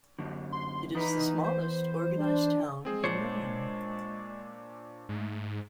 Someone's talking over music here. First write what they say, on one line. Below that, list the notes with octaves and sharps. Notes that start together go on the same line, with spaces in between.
It is the smallest organized town in Maine.
F#2 D3
C6
E2 D#4 B4
C5
D4
G#3 C4 G#4 C5
A#2 D4 C5 C#5
G#2 A3